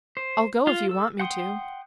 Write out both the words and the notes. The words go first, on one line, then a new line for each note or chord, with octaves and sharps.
"I'll go if you want me to."
C5
F4 F5
A4 E6
F#5 G5 C6 D#6